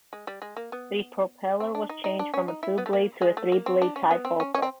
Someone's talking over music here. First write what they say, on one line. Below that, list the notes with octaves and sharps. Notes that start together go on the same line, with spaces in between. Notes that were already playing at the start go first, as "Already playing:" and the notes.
The propeller was changed from a two-blade to three-blade type also.
G#3
G3
G#3
A#3
B3
C4
D4
D#4
D#4
D4
C#4
D#4
E4
B3
A3
A#3
G#3
A3
A#3
C4
D4
C#4
B3
C4
C#4
C#4
C4